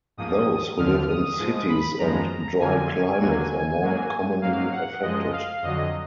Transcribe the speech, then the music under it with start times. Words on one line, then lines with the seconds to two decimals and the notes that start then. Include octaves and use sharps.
Those who live in cities and dry climates are more commonly affected.
0.17 G#2 F3 A#3 D#6
0.78 D#2 D3 F3 F6
1.09 D#6
1.38 G#2 F3 G#3 D#6
1.69 B5
1.99 F#2 F3 G#3 A#5
2.60 F2 D3 F3 A#3 G#5
3.21 D#2 D3 F#3 A#3
3.81 G#2 F#3 A#3
4.42 G#2 F#3 A#3 F5
4.72 F#5
5.03 F#2 F3 G#3 D#5
5.32 F5
5.63 F2 D3 F#3 D#5